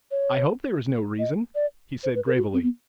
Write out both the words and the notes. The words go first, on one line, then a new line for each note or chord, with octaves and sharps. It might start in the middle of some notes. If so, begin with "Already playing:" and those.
"I hope there is no reason," he said gravely.
C#5
D#5
D5
C5
B4
A#4
F#4
C4
B3